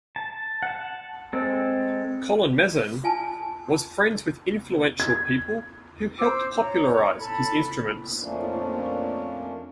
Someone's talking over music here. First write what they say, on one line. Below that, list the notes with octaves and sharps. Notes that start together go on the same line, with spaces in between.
Collin-Mezin was friends with influential people who helped popularize his instruments.
A5
F#5 A5
G#3 C4 A4
F4 G#5 A5
G#6
C5 D6 E6
C#5 A#5
A4 B5
F2 F3 A3 A#3 C#4 D4